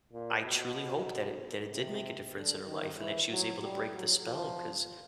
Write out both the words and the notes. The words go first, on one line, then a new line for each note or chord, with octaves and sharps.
I truly hope that it that it did make a difference in her life and that she was able to break the spell 'cause,
A#2
B2
C3
D3
D#3
E3
F#3
G3
F#3
F3